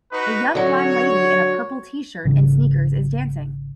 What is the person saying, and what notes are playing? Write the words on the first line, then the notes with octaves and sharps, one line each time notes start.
A young blond lady in a purple tshirt and sneakers is dancing.
D#4 F#4 B4
D3 F#3 C#5
G#1 C#3 E3 D4